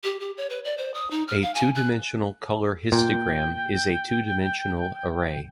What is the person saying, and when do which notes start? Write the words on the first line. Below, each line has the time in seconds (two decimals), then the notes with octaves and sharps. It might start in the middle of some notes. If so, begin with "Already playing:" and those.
A two-dimensional color histogram is a two-dimensional array.
0.04 G4
0.20 G4
0.37 C#5
0.50 B4
0.64 D5
0.77 C5
0.94 D#6
1.11 D#4
1.27 F6
1.42 F5
1.55 G#5
1.75 F#6
2.92 A#2 G5